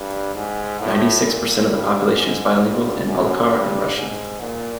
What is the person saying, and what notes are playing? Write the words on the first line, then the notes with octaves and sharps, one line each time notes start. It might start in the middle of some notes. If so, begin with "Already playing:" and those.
Ninety-six percent of the population is bilingual in Balkar and Russian.
Already playing: G2
G#2
A2
A#2
G2
G#2
G2
F#2
G2
G#2
A#2